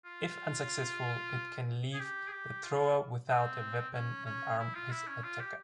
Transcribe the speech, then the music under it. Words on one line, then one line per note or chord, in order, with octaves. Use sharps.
If unsuccessful, it can leave the thrower without a weapon and arm his attacker.
F4
G#4
G4
G#4
G4
F4
C4
C#4
C#4
E4
F4
E4
C#4
F4
G4